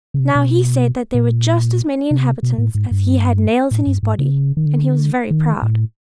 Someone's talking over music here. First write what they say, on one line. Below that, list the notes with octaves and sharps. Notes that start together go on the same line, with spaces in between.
Now he said that there were just as many inhabitants as he had nails in his body; and he was very proud.
C#3
C3
B2
A#2
C3
B2
A2
G#2
G2
A2
G2
G#2
C#3
D#3
D3
D#3
A2